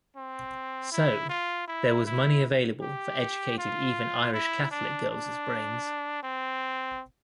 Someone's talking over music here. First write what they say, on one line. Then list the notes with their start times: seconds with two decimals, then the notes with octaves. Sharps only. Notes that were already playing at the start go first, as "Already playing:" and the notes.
So, there was money available for educating even Irish Catholic girls' brains.
0.16 C4
0.92 E4
1.29 F4
1.68 E4
2.06 E4
2.82 G4
3.58 F4
4.33 E4
4.71 D4
5.10 D4
6.23 C4